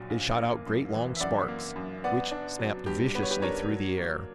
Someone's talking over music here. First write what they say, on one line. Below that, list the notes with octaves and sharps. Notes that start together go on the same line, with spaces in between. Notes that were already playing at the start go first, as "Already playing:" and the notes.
It shot out great long sparks, which snapped viciously through the air.
Already playing: A#1 A#2 F#3
A#1
A#3
F#2
E3
E5
F#2 D5 F#5
A#3
F#2
B3 D5 F#5
D4
F#3
G2 G4
B3 B4
C#5
G4 B4
D4 A#4 C#5
F#3
A#3